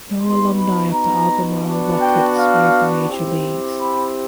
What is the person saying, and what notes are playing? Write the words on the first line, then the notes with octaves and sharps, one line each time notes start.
No alumni of the Albemarle Rockets made the major leagues.
B3 D#4 F#4 C6
B5
A#5
B3 D4 F#4
G5
F5
C4 E4 G4
B5